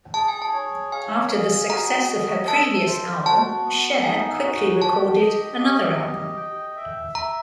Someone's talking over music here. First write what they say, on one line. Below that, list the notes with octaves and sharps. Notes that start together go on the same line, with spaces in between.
After the success of her previous album, Cher quickly recorded another album.
G#4 A5
G#5
A5
C#5
F5 G#5
G#4
F#4 A#5
D#5
A4 A5
C5
F#4 A5
B3
D#4 G#5
F#4
G4 A5
D#5
G4
D#5
G5
E5
E5 A#5